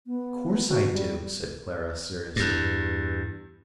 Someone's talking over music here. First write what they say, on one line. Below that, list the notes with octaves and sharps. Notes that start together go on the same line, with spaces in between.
"Of course I do," said Clara seriously.
B3
F#4
G3
E2 G2